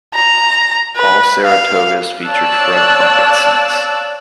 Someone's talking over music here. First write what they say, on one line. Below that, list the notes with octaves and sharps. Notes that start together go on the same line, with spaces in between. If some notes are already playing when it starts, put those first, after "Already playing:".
All Saratogas featured front bucket seats.
A#5
B4
F5
C#5 D5 F5 A5 E6 F#6